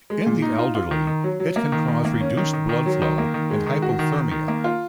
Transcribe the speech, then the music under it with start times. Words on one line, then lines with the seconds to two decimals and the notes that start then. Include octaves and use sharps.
In the elderly, it can cause reduced blood flow and hypothermia.
0.10 G#3
0.26 A#2
0.42 D#4
0.59 F4
0.75 F4
0.91 D#3
1.07 D#3
1.24 F#3
1.40 F#3
1.56 A#3
1.72 D#3
1.88 D#3
2.05 A#3
2.21 C#4
2.37 D#3
2.53 D#3
2.69 D#3
2.86 F#3
3.02 D#3
3.18 A#3
3.34 D#3
3.50 G#3
3.66 D#3
3.82 F#4
3.99 D#3
4.16 D#3
4.31 D#3
4.48 A#3
4.64 F4